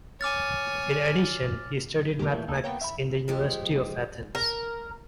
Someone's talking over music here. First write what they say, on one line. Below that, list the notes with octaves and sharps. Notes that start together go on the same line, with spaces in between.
In addition, he studied Mathematics in the University of Athens.
C#5 G#5 D6 F6 A6
D#2 G#2 B2 G4 A#4
A#2 E3 A3
D2 A#3 D#4 A4
A#3 B3 C#5 G5
E5 B5
F3 G#3 G4
A#4